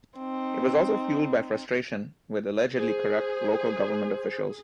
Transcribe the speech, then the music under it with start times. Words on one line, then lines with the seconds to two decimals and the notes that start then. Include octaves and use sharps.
It was also fueled by frustration with allegedly corrupt local government officials.
0.18 C4 D#4
2.76 G#4 C5